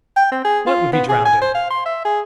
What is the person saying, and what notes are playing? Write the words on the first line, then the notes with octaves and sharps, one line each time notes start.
"What would be drownded?"
G5
C4
G#4
F4
B3
G#4
G#5
C5
F5
C6
E5
G#4